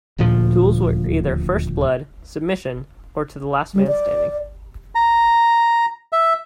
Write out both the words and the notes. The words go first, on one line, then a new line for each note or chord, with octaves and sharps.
Duels were either first-blood, submission, or to the last man standing.
D#1 D2 A#2 F3
G3
D5
A#5
E5